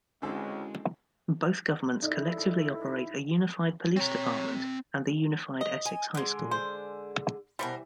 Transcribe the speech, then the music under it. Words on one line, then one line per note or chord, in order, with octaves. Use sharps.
Both governments collectively operate a unified police department and the unified Essex High School.
C#2 D3 G#3 C4 C#4 E4 F#4 A4
C#2 D#4 E4 A4 D5
C4 C#5 A#5
D#5
G#5
D3 G#3
C5
B2 E3 G3 A#4 C5